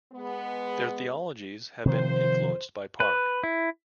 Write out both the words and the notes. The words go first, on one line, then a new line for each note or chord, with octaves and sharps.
Their theologies have been influenced by Park.
G#3 B3
C3 D#3 F3 C5
B4
E4